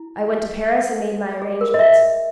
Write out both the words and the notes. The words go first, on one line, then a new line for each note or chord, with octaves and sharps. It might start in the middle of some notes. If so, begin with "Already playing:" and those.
I went to Paris and made my arrangements.
Already playing: E4
G#4
A#4
D#5
E5